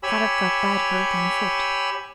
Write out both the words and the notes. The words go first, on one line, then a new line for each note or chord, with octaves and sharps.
Kadok got bad hurt on foot.
G4 C#5 G#5 B5 E6